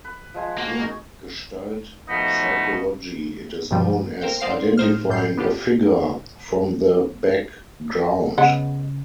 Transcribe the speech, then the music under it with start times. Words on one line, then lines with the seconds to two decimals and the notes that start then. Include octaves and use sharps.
In Gestalt psychology it is known as identifying a "figure" from the back"ground".
0.04 B4
0.34 F3 G#3 G#5
0.58 A#3 F#4
0.78 D#4 G#4 C#6
2.09 B2 F3 A3 B3 D#4 D#5
3.71 G2 B2 F3 G3
4.21 A#4 C5 F5 G5
4.40 D#4 C5 D5 F5 C6 C7
4.77 A2 D#4 C5 F6
5.09 A2 G3 G6 C7
5.37 B3 D4 F4 G4
8.38 C#3 G#3 B3 F#5